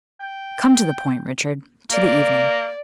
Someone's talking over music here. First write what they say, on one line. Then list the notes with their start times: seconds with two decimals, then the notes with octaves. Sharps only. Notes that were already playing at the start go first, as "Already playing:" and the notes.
"Come to the point, Richard--to the evening."
0.20 G5
1.91 A#3 D5